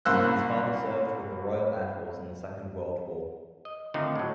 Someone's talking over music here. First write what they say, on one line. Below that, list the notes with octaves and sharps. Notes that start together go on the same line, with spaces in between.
His father served with the Royal Air Force in the Second World War.
C2 F#2 A#3 C5 E6 F#6
D#5
D3 D#3 F3 A3 C4 D#4
A2 F#3